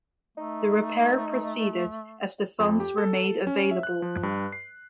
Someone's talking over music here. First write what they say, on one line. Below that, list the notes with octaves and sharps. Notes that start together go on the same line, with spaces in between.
The repair proceeded as the funds were made available.
A3 D#4
F2
G4
A4
C#4
E5
F#6
F3
G2
C7